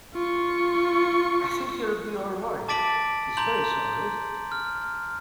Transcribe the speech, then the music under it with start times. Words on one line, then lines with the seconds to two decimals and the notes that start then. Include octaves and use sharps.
I think he’ll be all right. He’s very solid.
0.14 F4 C#6
2.68 A5 D6 A6 B6 D7 F#7
3.37 A#5 C6 G6 F#7
4.52 F6